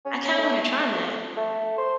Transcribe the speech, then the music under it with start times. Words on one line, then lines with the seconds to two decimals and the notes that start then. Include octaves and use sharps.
I kinda wanna try that.
0.05 C#4
0.38 A3
1.37 A3
1.78 C5